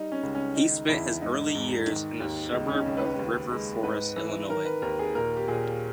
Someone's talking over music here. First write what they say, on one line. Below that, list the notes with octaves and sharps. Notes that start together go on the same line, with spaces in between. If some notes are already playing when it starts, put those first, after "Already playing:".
He spent his early years in the suburb of River Forest, Illinois.
Already playing: G3 D#4
C#4
C#2
C#4
D#3 D#4
E2 E4
G#2 D#4
G#2
D#3
D#2
C#2 D#4
C#4
D#4
C#2
B4
D#2
G#3
G#2 B4
E3
D#3 A#4
B4
D#2 A#4
G#4
A#2 A#4
G4
A#2 G#4